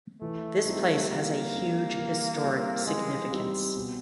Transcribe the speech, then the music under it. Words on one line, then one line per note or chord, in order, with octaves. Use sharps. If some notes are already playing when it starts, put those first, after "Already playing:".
This place has a huge historic significance.
E3 A3
G3 C4 D#4
E3 A#3
G3 C4 D#4
E3
G3 C4 D#4
E3 G#3
G3 C4 D#4
B2